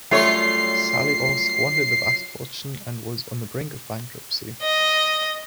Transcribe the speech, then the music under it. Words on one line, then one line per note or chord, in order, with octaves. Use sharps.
Sally Aw squandered the vast fortune and was on the brink of bankruptcy.
F#2 G3 A3 F4 C#5 C7
D#5